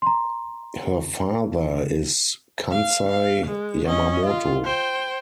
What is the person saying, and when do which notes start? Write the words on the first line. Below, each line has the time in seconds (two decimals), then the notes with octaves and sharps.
Her father is Kansai Yamamoto.
0.02 A#5 C6
2.71 F5
3.09 F5
3.47 G#3
3.85 C#4 D#5
4.26 F4
4.64 C5 G5